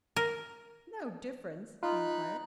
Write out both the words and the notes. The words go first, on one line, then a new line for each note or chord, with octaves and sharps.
"No difference?" he inquired.
A#4
D#4 F4 D#5 B5 F#6